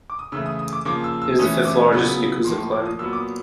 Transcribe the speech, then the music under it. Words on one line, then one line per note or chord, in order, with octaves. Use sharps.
It is the fifth largest Yakuza clan.
D6
D#6
C#3 E3 A3 E6
D#6
D#6
D6
C#3 F3 A#3 D6
E6
E6
E3 A3 C#4 D#6
D6
C#3 F#3 B3
A2 F3 A#3 C6
C#6
D6
D#6
A#2 F#3 B3 E6
D6
D#6